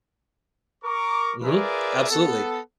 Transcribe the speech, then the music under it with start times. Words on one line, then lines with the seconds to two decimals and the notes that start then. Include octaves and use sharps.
Mhm. Absolutely.
0.83 A#4 C#6 D6
1.43 F4 G#4 A#4 B4 D5 E5
2.09 B3 A4